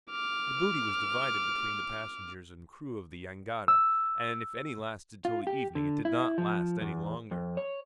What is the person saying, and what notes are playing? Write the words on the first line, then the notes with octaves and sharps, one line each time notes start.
The booty was divided between the passengers and crew of the jangada, and if any lasted till the evening it did not last any longer.
D6 F6
E6
F4
G4
D3
E4
F3
E2
F2
C#5